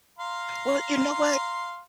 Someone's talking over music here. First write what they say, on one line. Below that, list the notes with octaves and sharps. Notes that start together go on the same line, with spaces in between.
Well, you know what?
F5 A#5 C6